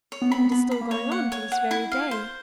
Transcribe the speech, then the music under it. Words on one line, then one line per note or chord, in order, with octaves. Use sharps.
It is still going on to this very day.
C#5
B3
C4 B5
B3
B3 B5
B5
A#3
C#5
F#5
C#5
F#5
E4
F5
C5